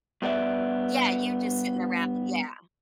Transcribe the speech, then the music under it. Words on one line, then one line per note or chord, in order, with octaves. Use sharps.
Yeah you're just sitting around, yeah.
G2 B3 D5 E5